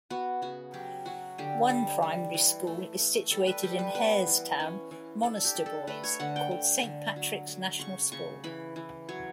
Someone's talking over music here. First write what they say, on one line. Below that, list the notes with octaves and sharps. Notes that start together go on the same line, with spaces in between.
One primary school is situated in Harestown, Monasterboice called Saint Patrick's National School.
B3 F#4
C#3 F#4
F#3 G4
F#3 F#4
D3 G4
G3
G3
E3
A3
A3
G3 A4
B4
G3 G4
B4
B3 B4
E3
C#4
E3
D4 A4
G4
D4
A4
A3 B4
C#5
D3 F#5
G5
D3
D3
F#3
F#3
C#3 C#6
C#3 C#6
E3 B5
E3
F#3 C#5